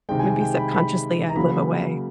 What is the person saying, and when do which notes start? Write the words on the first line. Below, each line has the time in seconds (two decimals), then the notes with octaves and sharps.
Maybe subconsciously, I live away.
0.09 C3 D#3 G#3 G5
0.19 G#5
0.30 G#5
0.41 G5
0.56 B5
0.72 B5
1.29 A#5
1.36 C#3 F#3 A#3 B5